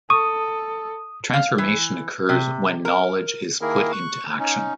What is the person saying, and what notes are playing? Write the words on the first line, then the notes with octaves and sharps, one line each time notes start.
Transformation occurs when knowledge is put into action.
A4 C#6 D#6
F5
E3
C3
A#4
D#3 A#3 E4 G#4 A#4
C#6 F#6
C#4 D#4